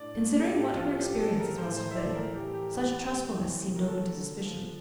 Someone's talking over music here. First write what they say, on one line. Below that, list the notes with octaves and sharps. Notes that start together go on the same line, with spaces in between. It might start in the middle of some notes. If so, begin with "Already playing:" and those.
Considering what her experiences must have been, such trustfulness seemed open to suspicion.
Already playing: A2 D4 D5
A3
A4
A2 G4
A4
F3 F4
C4 G4
A4
C4
A#4
A2 C5
C5
A2 E5
D5
A4
E3 A#4
G4
E3
G4
E2 G4
E2
E3
C3
A#4
A3 A4
D3
F3